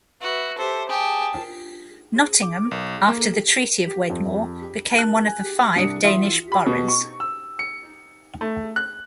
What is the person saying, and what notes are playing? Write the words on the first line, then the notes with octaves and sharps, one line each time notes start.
Nottingham, after the treaty of Wedmore, became one of the five Danish boroughs.
F#4 B4 E5
G4 A4 C5 E5
G4 G#4 A5
D6
B1
A#3
F2
A#4 A5 F#6
G#5
C2 D4 D#6 C#7
E3 F#4 E5 C6 D#6
B5
B2
C#6
E6
C#7
A3
F#6